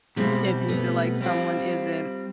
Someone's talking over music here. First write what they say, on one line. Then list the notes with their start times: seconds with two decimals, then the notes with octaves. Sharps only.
if you feel like someone isn't
0.16 B2 G3 G#3 A#3 C4
0.68 A3 B3
1.21 G3 C4 F4